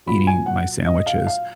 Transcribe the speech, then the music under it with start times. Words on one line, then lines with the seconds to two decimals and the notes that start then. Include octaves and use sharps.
eating my sandwiches?
0.06 A#2 F#3 B5
0.27 G#5
0.46 F#5
0.86 D#5
1.06 F5
1.27 F5